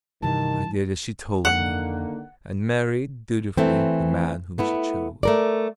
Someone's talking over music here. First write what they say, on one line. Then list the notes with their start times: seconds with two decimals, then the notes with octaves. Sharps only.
I did as she told me and married dutifully the man whom she chose.
0.22 G2 C3 D#3 E3 A5
1.45 F2 D3 D#3 A#3 F#5
3.57 E3 A3 C4
4.58 A3 B3 E4
5.23 A3 A#4 D5